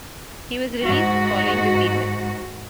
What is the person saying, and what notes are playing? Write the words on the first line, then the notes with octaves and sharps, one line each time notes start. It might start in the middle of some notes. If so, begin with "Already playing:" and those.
He was released following the season.
G#2 F#4